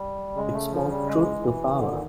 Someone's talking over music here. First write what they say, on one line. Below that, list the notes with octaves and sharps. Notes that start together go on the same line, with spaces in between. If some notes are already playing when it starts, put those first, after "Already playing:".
It spoke truth to power.
Already playing: G3
C#3 G#3
A3
F3
G3
G#3
E3
D3 D#3
A#2